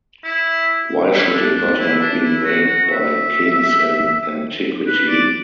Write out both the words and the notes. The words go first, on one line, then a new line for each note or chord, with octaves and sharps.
Why should it not have been made by kings in antiquity?
E4
E4
D4
D4
E4
D4
E4
F#4
F#4
E5
B4
D5